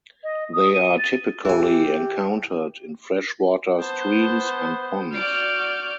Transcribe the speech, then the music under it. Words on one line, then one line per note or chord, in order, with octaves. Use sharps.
They are typically encountered in freshwater streams and ponds.
D#5
D#6
D#7
A6
E3 G4 G#5
B3 C5 A5
F#4 D5 F6 G6 D7